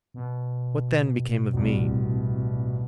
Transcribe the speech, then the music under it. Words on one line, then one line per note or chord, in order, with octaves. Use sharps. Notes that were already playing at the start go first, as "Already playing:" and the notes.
What then became of me?
B2
D1 C2